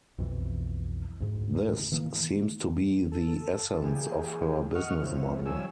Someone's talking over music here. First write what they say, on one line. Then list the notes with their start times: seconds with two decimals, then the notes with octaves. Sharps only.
This seems to be the essence of her business model.
0.18 B1 F2 B2 E3
1.20 D2 G#2
1.92 D#3 E3 A#3
3.12 A4
3.84 E3 A#3 G4 G#4
4.75 D#5 F#5 C#6 F6
5.02 F2 C#3 C4 E4
5.46 D#3 F3 G3 C#5 G#5 E6